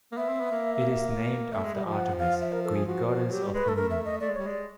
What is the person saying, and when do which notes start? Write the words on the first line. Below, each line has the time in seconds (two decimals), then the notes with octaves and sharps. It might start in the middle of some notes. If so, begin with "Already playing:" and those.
It is named after Artemis, Greek goddess of the moon.
0.12 A#3
0.17 B3 E5
0.28 C4
0.40 B3
0.51 A#3
1.51 A3 E5
1.63 G#3
1.74 G3
1.85 F3
1.91 G5
1.97 F#5
2.19 F5
2.41 E5
2.52 A#4
2.64 A4
2.75 G#4
2.86 F3 F#4
3.09 F#4
3.31 F#3 G4
3.42 G3
3.53 G#3 B4
3.65 A3
3.69 A4
3.76 A3 A#4
3.91 E5
4.05 D#5
4.21 A3 D5
4.29 G#3
4.34 G3 C#5
4.46 G#3 D5